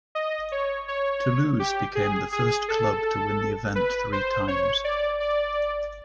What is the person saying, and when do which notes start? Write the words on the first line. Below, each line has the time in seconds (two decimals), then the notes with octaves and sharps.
Toulouse became the first club to win the event three times.
0.15 D#5
0.52 C#5
0.88 C#5
1.59 G4
1.95 G#4
2.32 G#4
2.68 A4
3.75 B4
4.12 C5
4.48 C#5
4.84 D5
5.20 D5